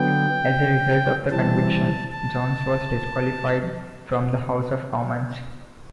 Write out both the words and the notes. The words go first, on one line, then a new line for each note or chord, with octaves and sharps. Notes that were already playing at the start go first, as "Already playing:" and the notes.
As a result of the conviction, Jones was disqualified from the House of Commons.
Already playing: D3 F#3 B3 G5
C3 E3 G3 C4 A5
A5